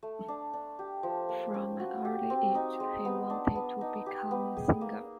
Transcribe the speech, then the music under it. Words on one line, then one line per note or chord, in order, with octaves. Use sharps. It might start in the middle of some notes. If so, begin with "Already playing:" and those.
From an early age, he wanted to become a singer.
A3
D4
D4
G4
F3
A#3
C#4
F#4
G4
C4
D#4
G#3
B3
D4
B3
D#4
G4
B3
G#4
A#3